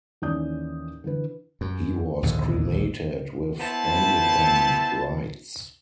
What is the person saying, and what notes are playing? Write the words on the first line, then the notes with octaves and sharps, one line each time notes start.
He was cremated with Anglican rites.
D#2 E3 C#4 D5 D#6 G6
D3 E3 B4
F#2
A#1 D#2 G#2 D3
B3 E4 C5 A5